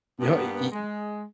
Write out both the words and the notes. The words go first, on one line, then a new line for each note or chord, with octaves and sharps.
No, e e
G2 A#3 B3
G#3